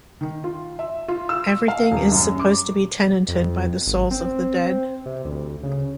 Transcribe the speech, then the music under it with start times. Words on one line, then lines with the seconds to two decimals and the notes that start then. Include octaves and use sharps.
Everything is supposed to be tenanted by the souls of the dead.
0.21 D#3
0.44 F4
0.79 E5
1.08 F4
1.29 E6
1.68 F5
1.92 D#1
2.12 F#2
2.39 D6
3.28 F2
3.87 G#1
4.11 C4
5.06 C3
5.25 D2
5.63 C#3